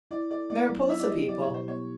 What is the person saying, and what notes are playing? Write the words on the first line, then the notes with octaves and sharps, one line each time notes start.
Mariposa people!
E4 D5
A4 D5
B3 D5
F#3
E4 E5
D5
G4 D#5
F#3 D5
C#5
B2
C5
B3 C#5